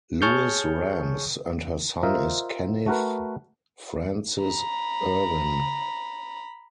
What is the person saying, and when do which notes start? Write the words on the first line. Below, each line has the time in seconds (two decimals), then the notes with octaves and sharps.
Louis Rams, and her son is Kenneth Francis Irwin.
0.22 G#4 C#5 A5 C#6 F6 G6
2.03 F4 A#4 C5 D#5 E5
2.86 A3 F#4 A#4 B4
4.42 A#5 B5